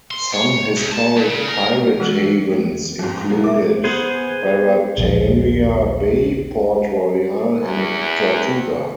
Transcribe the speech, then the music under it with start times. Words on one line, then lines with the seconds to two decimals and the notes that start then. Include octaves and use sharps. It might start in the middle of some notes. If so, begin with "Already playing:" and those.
Some historic pirate havens included Barataria Bay, Port Royal, and Tortuga.
0.11 C6
0.34 C#5
0.77 C2
0.92 A5
1.16 G#2
1.29 C#3
1.49 A#4
2.00 E3 G#3 F#4 G#4
2.51 A3
2.99 F2 G#2
3.29 B2 F#3 A#3
3.44 A#4 E5 D6
3.84 B3 G#4 C5
4.98 A#1 D#2 D3 F3
7.61 E2